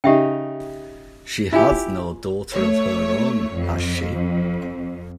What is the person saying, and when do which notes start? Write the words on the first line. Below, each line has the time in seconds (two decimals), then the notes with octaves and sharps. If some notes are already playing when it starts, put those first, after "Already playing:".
She has no daughter of her own, has she?
0.04 C#3 D#4 G4 E5 G5
1.53 E4 F4 G4 G#5
2.53 A3 C#5
3.55 F2